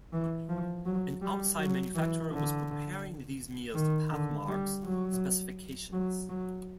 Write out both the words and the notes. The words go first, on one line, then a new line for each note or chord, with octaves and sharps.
An outside manufacturer was preparing these meals to Pathmark's specifications.
E3
F3
F#3
G3
F#3
E3
D3
D#3
D3
G3
F#3
F#3
F#3